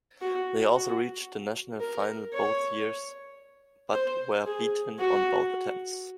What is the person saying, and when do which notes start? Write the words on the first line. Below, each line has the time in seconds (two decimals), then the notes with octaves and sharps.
They also reached the national final both years but were beaten on both attempts.
0.21 F#4
0.74 F#4
1.80 A#4
2.33 C#5
3.93 C5
4.46 G#4
4.99 F#4